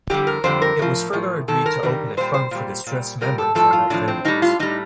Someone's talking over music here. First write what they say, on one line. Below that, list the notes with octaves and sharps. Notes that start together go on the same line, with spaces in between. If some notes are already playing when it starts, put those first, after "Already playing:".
It was further agreed to open a fund for distressed members and their families.
F2 D3 G3 G4
A#4
F2 D3 G3 C5
A#4
A2 F3
A2 F3
G2 D#3 A4
A#4
G2 D#3 G3
A#2 G3 C5
C5
A#2 G3
A#2 G3
A#2 G3 A#4
A4
A2 F3 A4
F4
A2 F3 D4
C4
A2 G3 D#4
F4
A2 G3 D#4